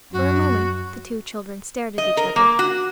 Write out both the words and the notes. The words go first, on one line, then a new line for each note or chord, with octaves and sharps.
For a moment the two children stared at each other.
F#2 F#4
D#5
A#4
A#3
F#4